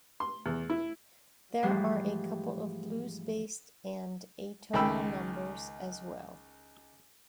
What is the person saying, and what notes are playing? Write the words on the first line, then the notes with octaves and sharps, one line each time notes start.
There are a couple of blues-based and atonal numbers as well.
C6
E2
E4
G#2 E3 F3 G3 A3
C#2 D#3 G5 B5 E6